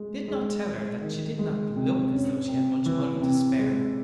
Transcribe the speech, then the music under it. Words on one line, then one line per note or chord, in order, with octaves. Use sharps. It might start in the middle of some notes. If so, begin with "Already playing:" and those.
But he did not tell her that she did not look as though she had much money to spare.
Already playing: G#3
G#3
G#3
D#3
G#3
C3
C#4
C3
E3
C3
G#3